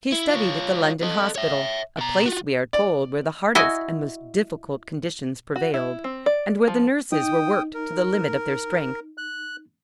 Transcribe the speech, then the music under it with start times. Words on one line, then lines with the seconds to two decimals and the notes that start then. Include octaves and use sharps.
She studied at the London Hospital--a place, we are told, where the hardest and most difficult conditions prevailed, and where the nurses were worked to the limit of their strength.
0.12 E4
0.29 F4 C#5
1.03 A4 D#5
1.36 C#5 E5
1.98 B2 A#5
2.26 F4 F#4
2.73 D5
3.55 E4 F#4 D#5 G#5
5.56 F#4
5.74 E4
6.04 C4
6.26 D5
6.68 F3
7.12 D#4 G5 D#6
7.74 A#4
9.18 F#6